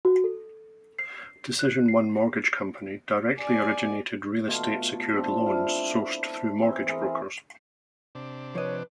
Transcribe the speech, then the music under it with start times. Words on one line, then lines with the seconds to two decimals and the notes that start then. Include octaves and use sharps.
Decision One mortgage company directly originated real estate secured loans sourced through mortgage brokers.
0.05 F#4
0.24 A4
0.99 C7
1.59 F#6
1.88 C7
3.38 D5 G#5
4.48 B2 A3 F4 C6
5.15 F3 C4 D4
5.45 E4 F5 A5
6.58 E3 C4
6.88 E4 G#4 A#4
8.15 C3 D4
8.55 F3 B4 C#5 D#5